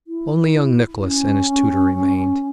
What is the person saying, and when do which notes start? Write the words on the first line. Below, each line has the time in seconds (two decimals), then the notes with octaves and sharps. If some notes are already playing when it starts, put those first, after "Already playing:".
Only young Nicholas and his tutor remained.
0.07 E4
1.03 C#4